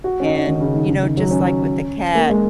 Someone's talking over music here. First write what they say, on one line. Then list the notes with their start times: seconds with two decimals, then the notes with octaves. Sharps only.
and, you know, just like with the cat,
0.04 F#4
0.20 C#4
0.25 D#4
0.47 D#3
0.60 C#3
0.74 D#3
0.89 C#3
1.03 D#3
1.17 F#3
1.31 C#4
2.15 A#3
2.29 G#3